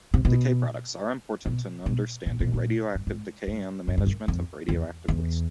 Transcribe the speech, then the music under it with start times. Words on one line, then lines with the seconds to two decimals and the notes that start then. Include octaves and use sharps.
Decay products are important in understanding radioactive decay and the management of radioactive waste.
0.14 C3
0.25 B2
1.46 B2
1.86 B2
2.26 A#2
2.40 B2
2.54 A#2
2.95 G2
3.07 G#2
3.47 G2
3.87 F#2
3.98 G2
4.07 F#2
4.28 F2
4.68 E2
5.08 E2